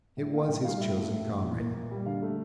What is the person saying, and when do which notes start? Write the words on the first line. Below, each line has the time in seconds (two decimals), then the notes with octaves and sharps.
It was his chosen comrade.
0.17 A2
0.33 A#3 F5
0.48 A2 G5
0.64 G3 F5
0.80 A2 E5
0.96 A3
1.12 A2
1.27 E3
1.43 A#2
1.60 A#3
1.75 A#2
1.91 G3
2.06 D3 F5
2.22 A3